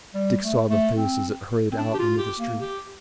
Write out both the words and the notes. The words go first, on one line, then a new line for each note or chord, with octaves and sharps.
Dick saw the face as it hurried out into the street.
G3
A3
A3
C4
C4
D4
G4
F4
G4
A#3
G4